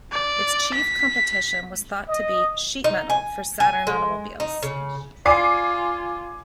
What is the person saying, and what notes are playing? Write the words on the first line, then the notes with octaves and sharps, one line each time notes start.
Its chief competition was thought to be "Sheet Metal" for Saturn automobiles.
D5
B6
D#5
D#4
G#5
G#5
G#3
D#4
C#3
F4 D5 G#5 D6 C7